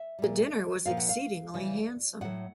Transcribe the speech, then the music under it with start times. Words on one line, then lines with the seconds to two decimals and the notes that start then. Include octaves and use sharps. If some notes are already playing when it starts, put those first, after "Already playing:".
The dinner was exceedingly handsome.
Already playing: E5
0.19 A#2 G3
0.86 A#2 F3 F5
0.97 F#5
1.09 F5
1.54 C#3 E3 G3
2.21 A2 F#3 F#5